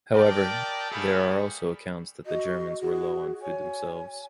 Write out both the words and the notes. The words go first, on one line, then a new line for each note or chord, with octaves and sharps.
However, there are also accounts that the Germans were low on food themselves.
G4 A#4 D5 D#5 G5 A5
G3 A3 A#3 G4 G#4 B5
F#4 D#5
F#4 G#4
C#5 G#5